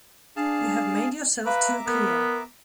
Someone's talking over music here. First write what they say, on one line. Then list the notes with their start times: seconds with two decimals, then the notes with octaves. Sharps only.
You have made yourself too clear.
0.37 D4 G#4 F5 A5
1.46 B4 E5 F5 A#5 D6
1.87 B3 A#4